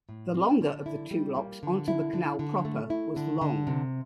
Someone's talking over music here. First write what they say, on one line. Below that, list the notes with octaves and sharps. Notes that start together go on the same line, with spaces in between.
The longer of the two locks onto the canal proper was long.
A2
C4
D3
E4
G3
A#3
D3
E4
D3
D3
A3
E4
D3
D3
C3